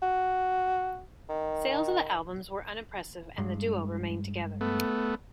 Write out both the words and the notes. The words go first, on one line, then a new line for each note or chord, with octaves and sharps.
Sales of the albums were unimpressive, and the duo remained together.
F#4
D#3
G2 G#3
A3 B3